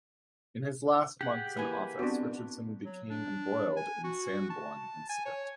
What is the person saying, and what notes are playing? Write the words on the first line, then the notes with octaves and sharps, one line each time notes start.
In his last months in office Richardson became embroiled in the Sanborn incident.
G4 G#4 F#5
E3 A#3 B4 G#5
B3 C4 D4 F#4
F#3
D4
G#5
F#4
A5
G#5
C#5